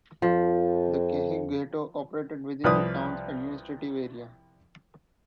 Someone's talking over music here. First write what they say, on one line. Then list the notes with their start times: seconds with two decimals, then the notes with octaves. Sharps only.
The Cehei ghetto operated within the town's administrative area.
0.22 F2 F3
2.64 C2 F3 B4 D5 D#6